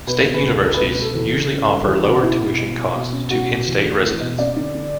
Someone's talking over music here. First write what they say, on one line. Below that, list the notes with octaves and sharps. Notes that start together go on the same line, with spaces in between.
State universities usually offer lower tuition costs to in-state residents.
B2 B4
B2
B4
C#2 A4
C#2 A4
B4
B2
B4
B2 A4
E2 A4
C#3
C#3
G3 A4
E2 G4
C#3 F#4
B2 E4
B2
B2
B2
B2
C#4
B2 F#4
B2
E2
A3
E2
B2
C#4 D5
D3
D3